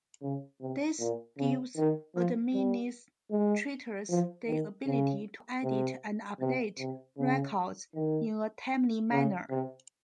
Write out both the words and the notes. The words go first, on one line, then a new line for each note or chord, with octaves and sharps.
This gives administrators the ability to edit and update records in a timely manner.
C#3
C3
A#2
C#3
D#3
F3
G3
G#3
F3
D#3
C#3
C3
C3
C3
C#3
D#3
C#3
C3